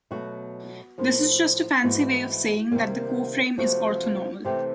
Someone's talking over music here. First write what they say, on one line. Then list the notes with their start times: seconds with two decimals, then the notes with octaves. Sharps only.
This is just a fancy way of saying that the coframe is "orthonormal".
0.11 B2 F#3 A3 F#4
0.98 A2 F3 A#3
1.84 G#2 E3 A3 F#4
2.72 C3 D#3 G3 A#3
3.58 C3 F3 A3 F#4
4.45 C3 E3 A3 G4